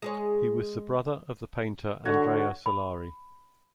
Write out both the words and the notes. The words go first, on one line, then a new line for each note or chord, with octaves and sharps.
He was the brother of the painter Andrea Solari.
G#3 G#4 C#5
D3 F#4 C#5
B5